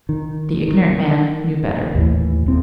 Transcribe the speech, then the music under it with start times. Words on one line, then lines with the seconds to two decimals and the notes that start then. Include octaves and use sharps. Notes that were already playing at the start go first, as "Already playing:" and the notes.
The ignorant man knew better.
0.09 D#3
0.68 D#3
1.95 D#2 A2 E3
2.46 D#1 C4